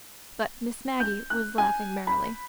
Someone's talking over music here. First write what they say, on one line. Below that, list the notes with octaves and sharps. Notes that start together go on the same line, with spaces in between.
But Miss Maggie was laughing merrily.
G6
F#6
G#5
B5